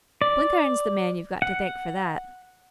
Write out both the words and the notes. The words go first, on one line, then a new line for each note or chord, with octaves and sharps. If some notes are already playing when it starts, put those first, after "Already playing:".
Blenkiron's the man you've got to thank for that.
D5
F#5